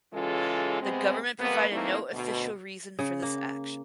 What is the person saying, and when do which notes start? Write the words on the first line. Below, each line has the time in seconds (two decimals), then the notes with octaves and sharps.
The government provided no official reason for this action.
0.13 C#3 E3 G#3 C#4 F4 A4
0.81 C3 G#3 B3 C4
1.39 F2 C3 A#3 B3
1.70 E3 A3 A#3 C4 D#4 E4
2.12 D2 B2
2.99 C#3
3.22 A#3